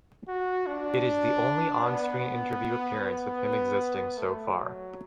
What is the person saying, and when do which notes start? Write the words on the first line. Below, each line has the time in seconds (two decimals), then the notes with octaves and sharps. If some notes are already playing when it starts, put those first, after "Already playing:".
It is the only on-screen interview appearance of him existing so far.
0.28 F#4
0.67 D4
1.84 B3
3.00 B3
4.18 A3
4.57 F#3